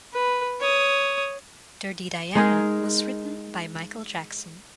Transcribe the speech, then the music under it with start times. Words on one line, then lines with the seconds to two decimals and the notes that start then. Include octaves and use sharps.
"Dirty Diana" was written by Michael Jackson.
0.13 B4
0.60 C#5 D#6
2.35 G#3 D#4 G#4 A#4